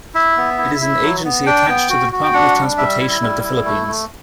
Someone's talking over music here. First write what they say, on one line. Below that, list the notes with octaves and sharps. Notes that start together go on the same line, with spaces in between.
It is an agency attached to the Department of Transportation of the Philippines.
E4 E5
B3
E4
E4
F#3
B3
D4 G5
B3
F#4
F#4
G5
D4 F#5
G3
G3 E5
E4
G3
E4
A3
A3